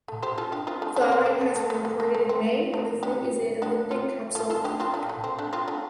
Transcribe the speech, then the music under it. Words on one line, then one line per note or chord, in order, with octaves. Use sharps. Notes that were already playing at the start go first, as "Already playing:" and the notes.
Flowering has been recorded in May and the fruit is an elliptic capsule long.
A3
G4 C5
F4 A4
D4 G4
C4 F4
A3 D4
A3 D4
C4
A3
A3
A3
A3
G3
A3
A3
C4
A3
D4 G4
D4 G4
C4 F4
F4 A4
F4 A4
D4 G4
C4 F4
A3 D4
A3
C4
A3 D4
C4 F4
A3 D4